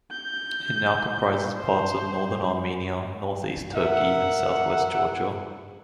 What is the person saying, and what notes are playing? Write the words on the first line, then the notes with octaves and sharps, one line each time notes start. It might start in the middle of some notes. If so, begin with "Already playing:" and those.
It now comprises parts of northern Armenia, northeast Turkey, and southwest Georgia.
G6
C5
A#4 E5 F#5